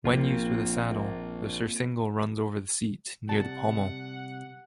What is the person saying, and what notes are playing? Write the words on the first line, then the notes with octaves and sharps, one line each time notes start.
When used with a saddle, the surcingle runs over the seat near the pommel.
A#1 A#3 C4 F4
C3 G3 F#5 A5